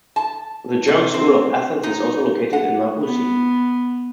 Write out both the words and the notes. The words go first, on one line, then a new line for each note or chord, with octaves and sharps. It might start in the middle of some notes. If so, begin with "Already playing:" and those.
The German School of Athens is also located in Marousi.
A5
C3
C4
D#4
F#5
B3